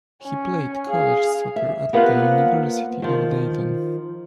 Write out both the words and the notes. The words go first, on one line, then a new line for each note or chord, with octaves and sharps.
He played college soccer at the University of Dayton.
C#4
G#4 F5
E5
A#3 B3 F4 B4 C5 F#5
D#3 F3